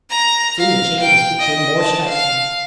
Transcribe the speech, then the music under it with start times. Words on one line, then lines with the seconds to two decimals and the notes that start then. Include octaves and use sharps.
Soon the changes became more striking.
0.10 A#5
0.58 F5
1.01 G5
1.39 D#5
1.77 A5
2.09 F5